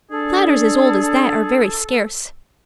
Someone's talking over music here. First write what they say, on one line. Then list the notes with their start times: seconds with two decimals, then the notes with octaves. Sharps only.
Platters as old as that are very scarce.
0.11 D4 G#4 A4